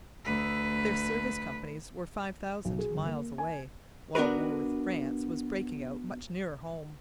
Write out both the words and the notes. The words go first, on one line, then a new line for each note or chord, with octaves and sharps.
Their service companies were five thousand miles away, while war with France was breaking out much nearer home.
D2 B4
B1
G#4
G1
A#3
G#5
B3 D4 F#4 A#4 B4